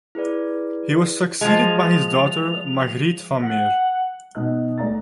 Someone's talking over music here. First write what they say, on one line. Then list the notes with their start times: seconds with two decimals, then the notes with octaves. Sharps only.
He was succeeded by his daughter Margriet van Meer.
0.15 E4 G#4 B4 D5
1.41 F3 G#3 F7
3.42 F#5
4.35 B2 D#4 D#5 F#6
4.78 D2 D5 A#5 A6